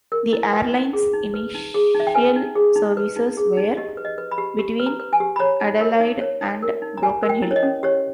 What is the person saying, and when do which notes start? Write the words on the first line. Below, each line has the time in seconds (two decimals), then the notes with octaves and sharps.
The airline's initial services were between Adelaide and Broken Hill.
0.12 A#4
0.33 E4
0.52 B4 G5
0.73 D#4
0.93 G#4
1.14 D#4
1.34 B4
1.55 D#4
1.74 G#4
1.95 D#4
2.00 E5
2.07 G5
2.15 B4 G#5
2.36 D#4
2.55 G#4
2.76 D#4
2.97 B4
3.16 D#4
3.37 G#4
3.57 D#4
3.77 G4 D#5
3.97 B4
4.05 D#5
4.18 B4
4.31 B5
4.38 G4
4.59 G4
4.80 B4
4.86 A#5
4.99 B4
5.13 G#5
5.20 G4
5.36 B5
5.39 C#5 A#5
5.61 D#4
5.81 A#4
6.00 D#4
6.21 C#5
6.41 D#4
6.62 A#4
6.82 D#4
6.97 A#5
7.03 G4 G#5
7.23 A#4
7.29 G5
7.42 E4
7.51 C#5
7.56 D#5
7.63 C#4
7.83 G4 C#5